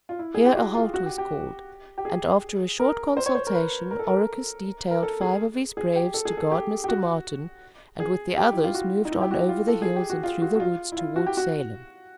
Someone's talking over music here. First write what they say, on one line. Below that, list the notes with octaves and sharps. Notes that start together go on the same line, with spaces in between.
Here a halt was called, and, after a short consultation, Oracus detailed five of his braves to guard Mr. Martin, and with the others moved on over the hills and through the woods toward Salem.
F4
E4
G#4
G4
F#4
F4
F#4
G4
G4
G4
G#4
A#4
C5
C#5
C5
A#4
B4
A#4
A4
A#4
A#4
A4
G#4
G#4
G4
A4
G#4
A4
G4
G4
F#4
G#4
G4
E4
F4
F#4
D#4
E4
G4
F#4
F4
A4
G#4
G4
F#4
F4
F#4
F#4
F4
E4
F4
F#4
G4
F#4